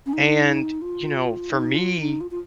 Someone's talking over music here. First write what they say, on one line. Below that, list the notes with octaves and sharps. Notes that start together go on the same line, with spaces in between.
and, you know, for me,
C#4
D#4
F4
D#4
F4
D#4
F4
F4